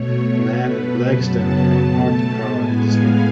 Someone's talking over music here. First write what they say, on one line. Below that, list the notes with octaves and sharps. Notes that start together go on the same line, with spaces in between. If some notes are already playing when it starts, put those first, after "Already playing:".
Man in black standing by parked car in the snow.
Already playing: B2 A3 C#5
B2 A3 B4
B4
F#2 C#3 F#3 B3 A5
B2 A3 A5
A2 G#3 B3 G#5
F5